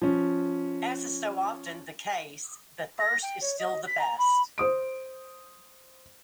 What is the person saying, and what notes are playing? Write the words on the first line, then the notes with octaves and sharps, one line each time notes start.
As is so often the case, the first is still the best.
F3 C#4
A#6
G5
C#5
D#5
B6
A#5
B5
C5 D#6 D7